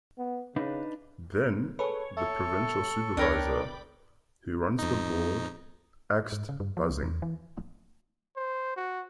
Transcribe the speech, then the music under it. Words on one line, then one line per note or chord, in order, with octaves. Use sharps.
Then, the provincial supervisor - who runs the board - axed busing.
B3
C#3 D4 D#4 B4
G#4 A4 B4 C#5
A4 E5 C#6
C#2 D4 A#4 C#5 D5 G5 B5
F2 D#4
G#2
C#3
G2
F3
C#2
E2
E3
C5
F#4